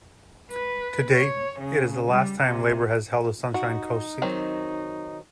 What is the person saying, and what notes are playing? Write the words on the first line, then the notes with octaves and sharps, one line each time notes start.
To date, it is the last time Labor has held a Sunshine Coast seat.
B4
C#5
C#3
G3
C3
D#4 F#4
D#3 F#3 C4